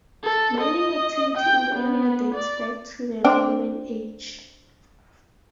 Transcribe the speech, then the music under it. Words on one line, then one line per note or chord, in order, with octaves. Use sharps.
Mining activity in the area dates back to the Roman age.
A4
D#5
G5
B3
D5
C4 D4